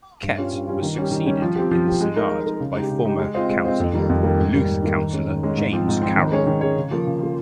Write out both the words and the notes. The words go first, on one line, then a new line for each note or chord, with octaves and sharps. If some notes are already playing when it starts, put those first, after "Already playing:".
Kett was succeeded in the Seanad by former County Louth councillor James Carroll.
G2
G3 C#4 F4
G2
G3 C#4 F4
D#3
G3 C#4 G4
D#3
G3 C#4 G4
F3
C4 G4
F3
C4 G4
G#3
D#4 A#4
G#3
D#4 A#4
C#3
G#3 D#4 G4
C#3
G#3 D#4 G4
G#3
C4 F4 C5 D#5
G#3
C4 F4 C5 D#5
F2
D#3 G3 A#3
F2
D#3 G3 A#3
G#2
D#3 G3 A#3
G#2
D#3 G3 A#3
D#3
G#3 C#4
D#3
G#3 C#4
G#2
F3 C4
G#2
F3 C4
D#3
G#3 C#4 G#4 C#5
D#3
G#3 C#4 G#4 C#5
C#3
F3 A#3
C#3
F3 A#3